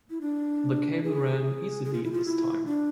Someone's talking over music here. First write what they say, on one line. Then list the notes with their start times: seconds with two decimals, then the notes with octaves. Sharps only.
The cable ran easily this time.
0.10 E4
0.21 D4
1.04 G#4
1.84 G#4
1.93 F4
2.04 E4
2.12 F4
2.26 E4
2.66 D4